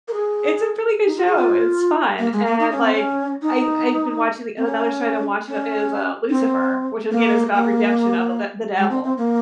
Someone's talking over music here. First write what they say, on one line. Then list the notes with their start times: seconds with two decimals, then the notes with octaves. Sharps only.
it's a really good show, and it's fun, and, like, I I've been watching and another show I've been watching is, uh, Lucifer, which again is about redemption of the d the devil.
0.08 A#4
0.13 G#4
1.06 D#4
1.16 F4
1.26 G#4
1.37 F4
2.19 A#3
2.33 G#3
2.46 A#3
2.60 D#4
2.72 C#4
2.83 C4
2.94 C#4
3.42 D#4
4.57 C4
4.66 C#4
5.48 C#4
6.30 C4
7.12 A#3
7.53 A#3
8.77 G#3
8.90 C4
9.04 C4
9.17 A#3